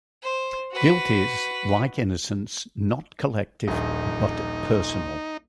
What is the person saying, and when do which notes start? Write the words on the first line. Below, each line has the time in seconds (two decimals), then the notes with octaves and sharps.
Guilt is, like innocence, not collective but personal.
0.22 C5
0.71 F#4 B4
3.67 D#1 A#1 D#4